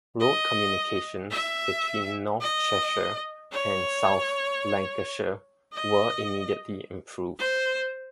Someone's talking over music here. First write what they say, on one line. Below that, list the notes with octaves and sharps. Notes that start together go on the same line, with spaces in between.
Road communications between north Cheshire and south Lancashire were immediately improved.
D#5
E5
D#5
C#5
D#5
C5